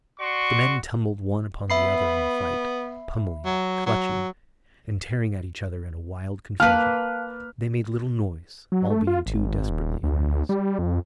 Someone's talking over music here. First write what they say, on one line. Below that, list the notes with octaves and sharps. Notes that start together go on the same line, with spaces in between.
The men tumbled one upon the other in the fight, pummelling, clutching, and tearing at each other in a wild confusion. They made little noise, all being too desperately in earnest.
F#4 D5 C6 C#6
B3 E5 B5 C7
F#3
F#3
A#3 B4 F5 A5 F6 F#6
F#3
A3
F4
G#1
D#1
D2
G3
F2